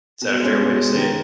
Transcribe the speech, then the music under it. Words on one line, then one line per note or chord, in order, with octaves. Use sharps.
Is that a fair way to say it?
B2
G#3 C#4
B2
G#3 C#4
D#3